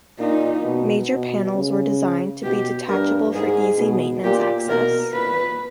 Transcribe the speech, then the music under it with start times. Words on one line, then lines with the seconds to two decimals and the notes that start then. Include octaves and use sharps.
Major panels were designed to be detachable for easy maintenance access.
0.19 A#2 D#4
0.64 B2
1.10 B2
1.55 C#3
2.43 B2 G4
2.88 G2 A#4
3.33 G#2 G#4
3.78 B2
4.23 A#2 G4
4.68 B2 A#4
5.13 A#2 B4